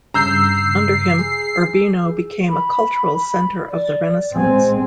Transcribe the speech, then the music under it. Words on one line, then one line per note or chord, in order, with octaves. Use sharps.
Under him Urbino became a cultural center of the Renaissance.
G2 C#3 A#5 E6 G6 C7
G#4
B5
D5
G#3 C4 G#5